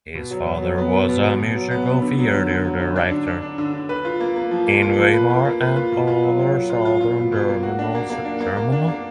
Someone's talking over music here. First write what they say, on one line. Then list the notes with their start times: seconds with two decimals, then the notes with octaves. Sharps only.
His father was a musical theatre director in Weimar and other Southern German centers.
0.15 B2
0.31 F#3
0.46 B2
0.62 F#3
0.78 B3
0.93 B2
1.09 B2
1.24 B2
1.40 B2
1.55 F#3
1.71 B3
1.86 B3
2.02 D3
2.18 F#3
2.33 D3
2.49 D3
2.64 F#3
2.80 D3
2.96 D4
3.11 D3
3.27 D4
3.42 D4
3.58 D3
3.73 D3
3.89 B4
4.05 F4
4.20 A#3
4.36 A#3
4.51 F3
4.67 A#3
4.82 F4
4.99 F3
5.14 B4
5.30 F4
5.45 A#3
5.61 B4
5.76 F4
5.92 B2
6.07 F4
6.23 F#3
6.38 F#3
6.54 F#3
6.70 F4
6.85 F4
7.01 F4
7.16 B2
7.32 B2
7.48 A#3
7.63 F#4
7.79 D4
7.95 A#3
8.10 A#3
8.25 D4
8.40 A#3
8.57 A#3
8.72 D4
8.88 A#3